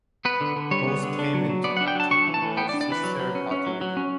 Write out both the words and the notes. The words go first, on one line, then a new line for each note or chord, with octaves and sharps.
Bose came into acting under Sisir Bhaduri.
B3 B4
D3
D3
G3 C#5
B3
D3
D4
F#3
F#3
B3 D5
F#5
D4
G5
F#3 A5
D4 C#6
E3
A5
E3
B3 G5
D5
D4
D5
E3 B4
F#3
F#3
C#4
C#4
F#3
F#3
C#4